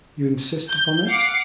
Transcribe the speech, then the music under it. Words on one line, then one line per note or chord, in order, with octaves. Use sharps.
"You insist upon it?"
G6
F5 F#5 D6 C7 C#7